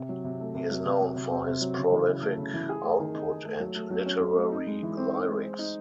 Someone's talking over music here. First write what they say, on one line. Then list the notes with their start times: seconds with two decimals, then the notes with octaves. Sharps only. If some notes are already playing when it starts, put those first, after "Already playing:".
He is known for his prolific output and literary lyrics.
Already playing: C3
0.09 F#3
0.24 C3
0.40 A3
0.55 C3
0.71 F#3
0.86 C3
1.01 F#3
1.16 C3
1.31 C4
1.47 C3
1.61 F#3
1.78 C#3
1.92 E3
2.08 C#3
2.22 A3
2.38 C#3
2.54 E3
2.69 G#4
2.83 A3
2.99 D#3
3.14 D#4
3.30 G#4
3.45 A3
3.60 F#3
3.76 A3
3.90 F#3
4.06 C#4
4.21 F#3
4.36 A3
4.52 D#4
4.67 G#3
4.83 E3
4.97 C4
5.12 D#4
5.29 G#3
5.43 C5
5.59 D#4